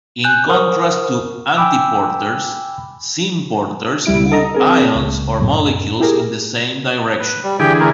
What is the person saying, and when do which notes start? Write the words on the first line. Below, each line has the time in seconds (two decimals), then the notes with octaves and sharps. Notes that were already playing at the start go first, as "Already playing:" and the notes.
In contrast to antiporters, symporters move ions or molecules in the same direction.
0.24 G#5 F#6 G6
0.49 A#4 C5 F#5 C#6 D#6 F6
1.57 G5 G#5 B5 D6 E6
4.05 C#2 G3 E4 D7
4.32 A4 D#5 A#5
4.54 C4 G#4 A#4
4.95 C#2
5.38 C2 F#2 A2
6.00 E4 G4 G#4 A#4
7.20 B4
7.44 G3
7.59 D3 E3 G4 G#4 G5
7.80 A3 E4 A#4